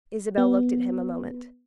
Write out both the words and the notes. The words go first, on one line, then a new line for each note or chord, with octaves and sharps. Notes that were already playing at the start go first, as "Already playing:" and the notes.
Isabel looked at him a moment.
B3